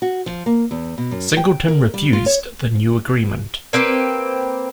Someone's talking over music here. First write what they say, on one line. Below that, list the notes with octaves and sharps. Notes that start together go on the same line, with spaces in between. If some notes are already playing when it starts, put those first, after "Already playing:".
Singleton refused the new agreement.
F#4
F3
A#3
E2
B2
F#2
G5
A#4
G3
F4
C#5
A#3 C4 G4 B4